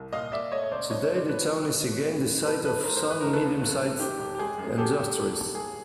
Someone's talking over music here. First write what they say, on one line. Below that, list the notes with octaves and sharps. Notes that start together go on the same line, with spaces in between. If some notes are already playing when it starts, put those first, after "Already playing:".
Today the town is again the site of some medium-sized industries.
Already playing: C2
A#2 D#5 F5
A#2 D5 E5
A3 C#5 D#5
D#5
C#2 C5 D5
G2 C#5 D#5
C#5 D#5
G2
C5 D5
A3 B4 C#5
C2
D#2
D#2
A#2
A#2
A#3 A4 B4
F2 A4 B4
G#2 A#4 C5
A#4 C5
G#2
B4
A3 A#4
A4 B4
D#2
G#1
G#1
D#3 G4
E1
G4
G#3 G#4
F#2
F#3 G4 A4
G#1
A#3
B1
D#2 G#4